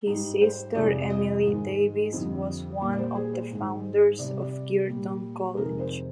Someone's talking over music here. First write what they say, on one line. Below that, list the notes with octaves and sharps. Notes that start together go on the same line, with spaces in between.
His sister Emily Davies was one of the founders of Girton College.
G#2 G3 D#4
C5
F2 C3 F3 G#3 D5
D#5
G#2 D#3 G#3
F2 D3 G3
A#2 G3 D5
D5
C5
G#4
C5
G#2 D#3 G#3
C3 G3 D5
D5
A#2 G3
F2 C3 D#3 G#3 A#4
C5